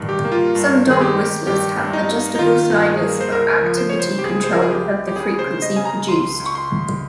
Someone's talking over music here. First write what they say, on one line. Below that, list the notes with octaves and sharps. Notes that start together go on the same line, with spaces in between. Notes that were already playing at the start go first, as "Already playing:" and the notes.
Some dog whistles have adjustable sliders for active control of the frequency produced.
Already playing: G2 D#3
G4
A#3
F4
G2
D#3 G#4
G4
D#3
G2 G4
G2
D#4
A#3
D#4
D#3 F4
G2
G#4
A#3
C5
C#2 A#4
F3
C5
C#3 C#5
C5
G4
C#2 G#4
C5
C#2 A#4
G#4
G4
C#2
G4
C#3 G#4
C5
C#3
D#5
C#3 G#5
A#5
C#2 C6
C#2
C#6
C6
C#2